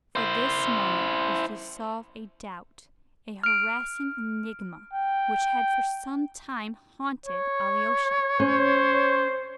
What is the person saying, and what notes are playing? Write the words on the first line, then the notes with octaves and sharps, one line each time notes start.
For this moment was to solve a doubt, a harassing enigma which had for some time haunted Alyosha.
E4 C5
F6 D7
G5
C#5
C#4 C5